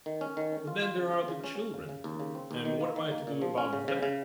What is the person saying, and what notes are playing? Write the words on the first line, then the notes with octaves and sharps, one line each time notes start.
But then there are the children, and what am I to do about them?
D#3
C#4
D#3
C#4
F4
F4
C#3
F4
C#3
C#4
C#4
C#3
C#3
D#2
C#3
C4
D#2
D#3
A#3
D#3
A#3
A#2
F3
C#4
C#3
C#3
C#3